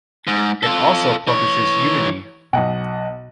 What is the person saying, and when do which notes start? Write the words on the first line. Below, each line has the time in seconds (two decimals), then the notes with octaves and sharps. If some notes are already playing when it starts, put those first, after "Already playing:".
It also publishes Unity!
0.27 G#2
0.63 F4 A4
1.27 E3 C#5
2.53 B1 B2 D#5 F#5